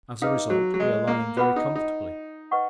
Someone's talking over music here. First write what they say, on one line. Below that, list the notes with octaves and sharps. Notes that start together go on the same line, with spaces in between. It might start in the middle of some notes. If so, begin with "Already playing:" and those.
As a result we are lying very comfortably.
D#4 G#4 B4 F5
F#3
F#3
G#3
A#3
B3 F4 G#4 B4 F#5 B5
D#4
D#4
B4 D#5 F#5 C#6